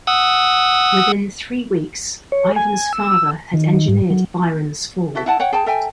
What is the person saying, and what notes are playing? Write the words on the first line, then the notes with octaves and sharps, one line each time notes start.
Within three weeks Ivan's father had engineered Biron's fall.
F#5 D#6 E6
C#5
G#5
E6
D#3
G#2
F#3
E4 F#4 A4 E5
E4 F#5 A5
C#5 F#5 G5
G#4 G5 A5
A4 E5 G5 G#5